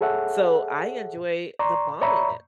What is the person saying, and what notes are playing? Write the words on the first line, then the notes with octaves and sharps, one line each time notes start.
So I enjoy the balminess
G#4 A4 C#5 E5 F#5
D5 A#5 C6 C#6
C#5 D5 E5 A#5 B5 C#6